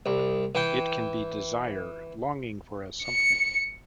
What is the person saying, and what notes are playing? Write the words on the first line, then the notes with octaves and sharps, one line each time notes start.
It can be desire, longing for a something.
C2
E3 G5
C#7